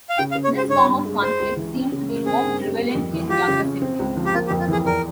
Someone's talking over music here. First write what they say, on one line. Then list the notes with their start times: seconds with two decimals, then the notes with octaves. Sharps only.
This form of conflict seems to be more prevalent in the younger sibling.
0.09 F5
0.18 C#3 G5
0.32 F5
0.35 C#3
0.44 C#5
0.53 G#3 C5
0.70 G2 C#5
0.88 G2
1.05 G#3
1.22 G#3 C5
1.40 C#2
1.56 E3
1.74 C#4
1.92 C#3
2.09 A#3
2.26 C4 G#4
2.43 G2
2.61 G3
2.77 A#3
2.95 F2
3.13 E3
3.29 F4 G4
3.48 C#3
3.65 C#4
3.82 C4
3.99 C#2
4.17 F3
4.25 G4
4.34 A#3 F4
4.47 G4
4.51 F2
4.60 F4
4.68 E3 G#4
4.86 E2 A#4